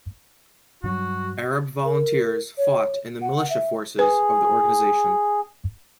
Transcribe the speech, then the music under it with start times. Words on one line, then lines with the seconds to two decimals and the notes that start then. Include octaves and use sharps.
Arab volunteers fought in the militia forces of the organisation.
0.84 G2 F#3 G3 F#4
1.85 A#4
2.58 C#5
3.22 F#5
3.50 E5
3.99 G#4 B4